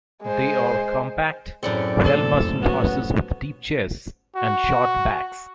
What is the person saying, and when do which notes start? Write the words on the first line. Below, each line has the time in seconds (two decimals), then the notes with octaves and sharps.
They are compact, well-muscled horses with deep chests and short backs.
0.23 G#3 C5
1.63 F#2 A2 C4 G#4 D5 C#7
2.04 D3 A3 A#3 A4 A5 C6
2.61 G3 A3 B3 C#4 F#4
4.36 F#4